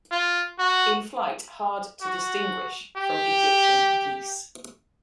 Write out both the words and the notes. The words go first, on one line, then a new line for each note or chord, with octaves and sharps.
In flight hard to distinguish from Egyptian geese.
F4
F#4
F#4
G4